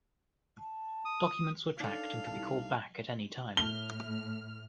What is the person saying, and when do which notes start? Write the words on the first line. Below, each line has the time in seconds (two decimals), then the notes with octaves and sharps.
Documents were tracked and could be called back at any time.
0.59 A5
1.05 D#6
1.80 D4 D#4 A4 F5
2.26 C2 A5
3.57 A2 F6 G7